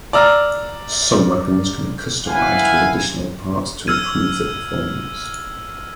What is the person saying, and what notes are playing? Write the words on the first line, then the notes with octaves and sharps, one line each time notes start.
Some weapons can be customized with additional parts to improve their performance.
D5 A#5 E6 F6
E4 B4 F5 F#5 G#5
E6 F6 G#6 D#7